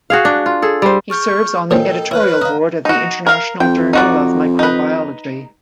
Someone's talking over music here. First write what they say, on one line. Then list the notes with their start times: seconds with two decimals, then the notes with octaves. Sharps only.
He serves on the Editorial board of the International Journal of Microbiology.
0.10 F#4 G#4 F5
0.25 D4
0.46 F4
0.62 G#4 A4
0.82 G3 C5
1.10 G#4 C#6 F6 G6
1.71 A#2 C#3 F3 A4 A#4 D#5 G5
2.11 E4 B4 C#5 F6 F#6
2.42 D#5 F5 A#5
2.85 D#4 F#4
3.27 A#4 F5
3.60 F2 G5
3.93 D#4 F#4 D5
4.59 D#4 B4